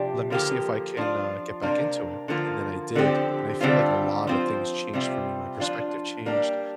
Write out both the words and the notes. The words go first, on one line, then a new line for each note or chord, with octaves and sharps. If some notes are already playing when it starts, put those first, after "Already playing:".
let me see if I can, uh, get back into it," and then I did, and I feel like a lot of things changed for me, my perspective changed,
Already playing: C3 F3 D4 G4
D3 F3 A#3 G4
F3 D4 F4
C3 A#3 D4
D3 F3 A#3 F4
D3 F3 C4 G4
D3 G3 C4 F4
F3 C4 F4
C3 G3 C4 F4
F3 D4 F4
G3 A#3 D4 G4